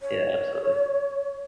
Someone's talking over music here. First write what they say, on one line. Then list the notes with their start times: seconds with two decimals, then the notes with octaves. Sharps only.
Yeah, absolutely.
0.01 C#5